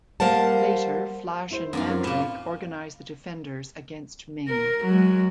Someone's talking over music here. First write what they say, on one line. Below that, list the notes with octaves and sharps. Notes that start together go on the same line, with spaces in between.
Later, Flash and Mandrake organize the Defenders against Ming.
G3 A#3 A#4 C5 F#5 A5
E4 C5
F#2 B3 D#4 D5 F5
C4 F4 A#4
A#2 A#3 B5 E7
A#4
F#3 G#3